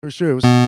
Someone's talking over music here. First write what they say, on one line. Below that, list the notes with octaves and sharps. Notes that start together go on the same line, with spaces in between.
For sure, it was
B2 B3